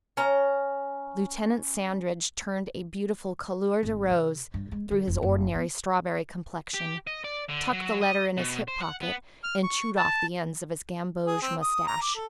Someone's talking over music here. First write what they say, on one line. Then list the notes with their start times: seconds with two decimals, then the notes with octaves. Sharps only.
Lieutenant Sandridge turned a beautiful /couleur de rose/ through his ordinary strawberry complexion, tucked the letter in his hip pocket, and chewed off the ends of his gamboge moustache.
0.17 C#4 A#5
3.83 G#1
4.11 C3
4.54 G2
4.72 G#3
4.91 D3
5.07 F1
5.23 F#1
5.55 B3
6.74 G4
7.07 D#5
7.24 D5
7.49 D3
7.72 F#3
8.01 D#5
8.38 B2
8.68 C5
8.82 F#5
9.02 B3
9.43 F6
9.63 C#6
9.97 A5
11.27 G#4
11.42 C4
11.62 D#6
11.87 A#5
12.02 D6
12.15 A4